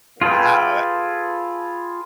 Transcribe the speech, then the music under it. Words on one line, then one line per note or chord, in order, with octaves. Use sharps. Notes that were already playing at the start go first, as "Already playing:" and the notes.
Wow, tha
F4 G#4 A4 B4 G5